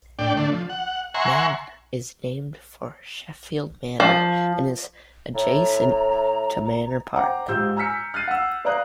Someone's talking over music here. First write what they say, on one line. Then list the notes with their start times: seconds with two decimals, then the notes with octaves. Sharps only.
Manor is named for Sheffield Manor and is adjacent to Manor Park.
0.19 A2 D4 D5 G5
0.37 D3 A3 D4
0.52 F3
0.69 F#5
1.14 E5 F#5 G#5 A#5 C6 C#6
4.00 F3
5.35 A2 A#5
7.16 C5 F#5 G5 A#5 D6
7.48 G#2 F4 G4 E6 G6
7.76 G#5 A#5 E6 F6 B6 C#7
8.14 F6 F#6 A6 B6 C7 D#7
8.28 F#5 E6
8.65 B4 D5 F5 A#5 D#6 F#6